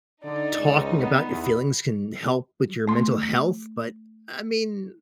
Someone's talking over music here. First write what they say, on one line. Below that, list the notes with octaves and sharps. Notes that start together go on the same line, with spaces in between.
talking about your feelings can help with your mental health, but, I mean,
D3 D#4 D5
C#2
B3
E2
A3 C6